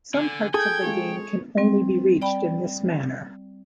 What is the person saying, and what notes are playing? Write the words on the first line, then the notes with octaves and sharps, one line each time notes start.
Some parts of the game can only be reached in this manner.
D3 G#5
G#4 A4 G5 G6 G#6
G#3 F4 C#5
G3 C4
D5 G5 B5